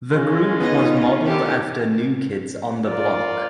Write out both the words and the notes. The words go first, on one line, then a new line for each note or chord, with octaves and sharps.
The group was modeled after New Kids on the Block.
G#3 C#4 F4
B3 D#4 D#5
D3 D#3 G4 A4
F4 A#4 D5